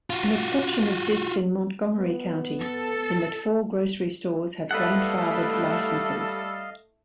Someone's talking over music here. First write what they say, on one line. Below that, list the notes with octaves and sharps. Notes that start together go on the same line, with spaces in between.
An exception exists in Montgomery County, in that four grocery stores have grandfathered licenses.
F4 F#4
B3
A4
G3 A3 E4 A4 B4 D#5 F5 F#5